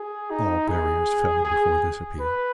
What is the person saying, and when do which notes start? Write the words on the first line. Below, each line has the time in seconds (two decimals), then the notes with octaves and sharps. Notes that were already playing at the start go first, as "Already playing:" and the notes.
All barriers fell, before this appeal.
Already playing: G#4
0.31 D#4
0.68 G#4
1.45 G#4
2.20 B4